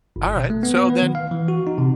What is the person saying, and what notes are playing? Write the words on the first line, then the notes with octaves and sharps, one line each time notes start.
All right, so then,
G1
B2
A3
B3
B3
B4
D#3
F5
E3
F#4
D#4
C3